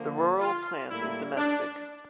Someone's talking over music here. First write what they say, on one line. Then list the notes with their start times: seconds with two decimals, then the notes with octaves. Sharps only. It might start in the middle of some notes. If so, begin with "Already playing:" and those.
The rural plant is domestic.
Already playing: D3 F3 A#3
0.40 F4
0.89 A2 G3 A#3 E4
1.37 D4